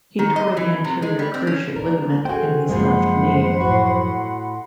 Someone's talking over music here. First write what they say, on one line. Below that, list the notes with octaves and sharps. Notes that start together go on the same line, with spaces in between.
He tore the anterior cruciate ligament in his left knee.
D#3
D#5
E3
C3
G#3
G3
C4
C#4
D4 A#4
F#4 G#4 A4 C5 D#5 G5 G#5
F#2 F3 G#3 A#3 C5 F#5 B5 C6
A2 F#4